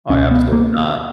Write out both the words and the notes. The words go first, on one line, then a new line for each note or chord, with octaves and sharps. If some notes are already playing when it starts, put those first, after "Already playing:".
Oh, yeah, absolutely not.
C#2 B2 C#4
B3
A#3